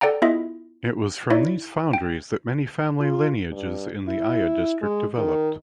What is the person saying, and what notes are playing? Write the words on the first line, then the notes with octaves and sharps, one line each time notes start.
It was from these foundries that many family lineages in the Aia district developed.
A4 D5 F#5 G5 A#5
B3 E4 F4 G#4 D#5 E5
D#4 E4 C#5 D5 E5
G5
F4
G2
E4
G#3
D#3